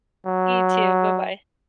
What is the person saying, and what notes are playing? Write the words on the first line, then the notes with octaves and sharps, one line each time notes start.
You too, bye-bye.
F#3